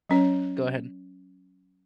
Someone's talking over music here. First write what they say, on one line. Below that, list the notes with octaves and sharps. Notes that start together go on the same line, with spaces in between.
go ahead.
F#3 C#4 C#5